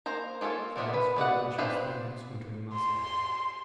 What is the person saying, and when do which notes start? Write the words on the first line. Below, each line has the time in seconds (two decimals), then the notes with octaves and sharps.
You ask whether we shall spend next winter in Moscow.
0.06 A#3 C5 A#5
0.41 A#3 D4 F4 A4 C#5
0.76 A3 B3 C4 D4 A#4
0.94 B4 B5
1.16 A3 D5 D#5 F#5
1.58 C4 D4 G4 B4 F5
2.73 C6